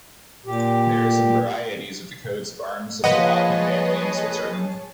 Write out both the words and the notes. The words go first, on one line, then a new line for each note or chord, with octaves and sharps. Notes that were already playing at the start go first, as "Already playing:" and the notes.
There are some varieties of the coats of arms of the Bachmann family in Switzerland.
A#2 G4
F3 A#3 G#4 B4 C#5 D#5 F#5 A5